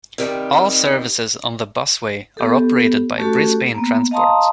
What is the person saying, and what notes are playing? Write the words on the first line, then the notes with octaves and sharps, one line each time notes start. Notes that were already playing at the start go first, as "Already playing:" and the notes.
All services on the busway are operated by Brisbane Transport.
C3 D#3 G3
B3 G4 A4
A3 C#4 F#4 G4 A4
A#3 B3
D#5 F5 A5 A#5 C6 D#6